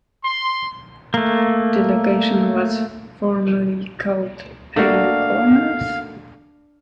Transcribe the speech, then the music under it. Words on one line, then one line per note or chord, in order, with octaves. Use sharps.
The location was formerly called Payne's Corners.
C6
A3 A#3
A3 A#3 D4 F#4 F5